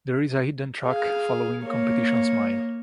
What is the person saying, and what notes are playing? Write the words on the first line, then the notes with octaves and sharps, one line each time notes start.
There is a hidden track following "Competition Smile".
G#4 F5
A#3 C#5